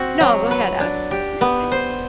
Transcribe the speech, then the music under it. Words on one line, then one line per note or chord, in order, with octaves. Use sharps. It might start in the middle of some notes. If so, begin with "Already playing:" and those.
No go ahead, ask me what you're saying.
Already playing: C4 F#4
F#3
B4
D4
G4
B3
C5